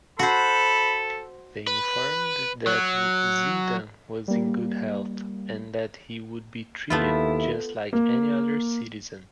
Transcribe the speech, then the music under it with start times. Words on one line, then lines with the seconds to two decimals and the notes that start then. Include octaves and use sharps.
They informed that Zeidan was “in good health”, and that he would be treated “just like any other citizen”.
0.19 F#4 A4 C5 B5
1.67 B4
2.67 F#3
4.28 G3 A#3
6.90 D#2 A3 B3 E4 F4
7.93 A#3